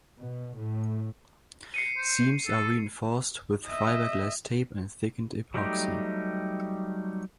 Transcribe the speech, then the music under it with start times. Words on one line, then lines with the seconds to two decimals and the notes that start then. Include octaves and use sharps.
Seams are reinforced with fiberglass tape and thickened epoxy.
0.19 B2
0.56 A2
1.74 C7 C#7 D#7
1.97 C5
2.47 A4
3.66 D#5 E5
5.54 F#3 G3 A3 D#4 G4